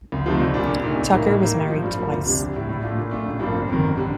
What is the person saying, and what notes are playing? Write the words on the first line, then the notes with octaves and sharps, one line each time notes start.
Tucker was married twice.
D2
C3 F3 A3 D#4
C2
A#2 G3 D4
A#1
A#2 A3 D#4
A#1
A2 G3 A#3 D#4
A2
G3 A#3 D#4
A2
F3 A3
G2
F3 A#3
D2
C3 G3 D4
A#1
A2 G3
A2
A3 D4 F4
A#2
A3 D4 F4
A1
G2 F3 A#3 D4
G1
F2 D#3
A1
D3 G3